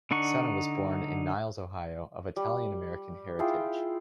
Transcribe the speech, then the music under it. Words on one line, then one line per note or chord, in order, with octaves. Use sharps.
Sena was born in Niles, Ohio of Italian-American heritage.
D3 D4 D#4 F#5 C#6
G3
E4 F4 G#4 G5